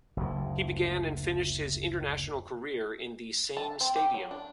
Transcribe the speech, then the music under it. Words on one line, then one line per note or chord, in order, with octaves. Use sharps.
He began and finished his international career in the same stadium.
F#1 D2 G#2
A5
C4
G4
F#3
D4